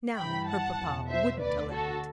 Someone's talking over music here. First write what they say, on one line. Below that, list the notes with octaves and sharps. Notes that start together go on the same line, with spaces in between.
Now her papa wouldn't allow it.
G2 E3 G5 B5
F#5 A5
E2 B2
C5 E5
D2 D3 B4 D5
F#4 A4